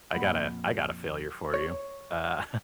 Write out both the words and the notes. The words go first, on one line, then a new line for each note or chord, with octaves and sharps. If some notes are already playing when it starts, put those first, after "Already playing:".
I got a I got a failure for you, uh
F2 A#2 A3 F#5 B5
C#5